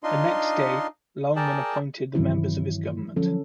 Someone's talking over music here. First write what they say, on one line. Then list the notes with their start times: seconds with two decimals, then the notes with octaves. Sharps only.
The next day Loughman appointed the members of his government.
0.03 D4 D#4 F4 D#5 C6
1.36 G#4 A#4 D5 G5 A5
2.15 G2 D#3 E3 F#3 C4 E4
3.16 D3 F3 F#3 C#4 A4